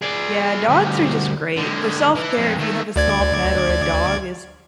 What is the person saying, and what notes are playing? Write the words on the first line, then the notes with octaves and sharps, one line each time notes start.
Yeah, dogs are just great. For self-care, if you have a small pet or a dog is
G#4 D5
D2 G3
D3 G#3
E3
F2 G#3
D#3 A3
D2 D5 G#6